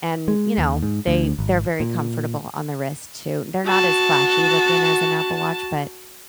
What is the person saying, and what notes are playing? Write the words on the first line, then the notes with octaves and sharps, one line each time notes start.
and, you know, they they're very comfortable on the wrist too. They're not as flashy looking as an Apple Watch, but,
G#3
D#2
G#2
D2
G#1
A#2
F#4 A5